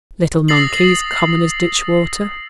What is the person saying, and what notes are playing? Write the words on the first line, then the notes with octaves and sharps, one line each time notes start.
Little monkeys common as ditchwater.
D#6 E6 A6 A#6 C7 F#7